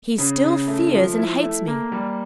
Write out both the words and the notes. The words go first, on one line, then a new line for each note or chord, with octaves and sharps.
He still fears and hates me.
C#3
C#3
A3
F3
E4
A3
A#3
G3